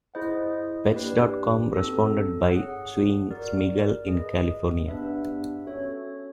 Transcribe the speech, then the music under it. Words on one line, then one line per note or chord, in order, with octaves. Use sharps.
Pets dot com responded by suing Smigel in California.
E4 G#4 C5 D#5 F#5
A#3 D4 G4 B4 D5
C4 D#4 F#4 A4
G#4 C#5 F#5
F#4 A#4 D5
G#4 B4 D#5
B3 D4 G4 B4 E5
C#4 F#4 A4 C#5 E5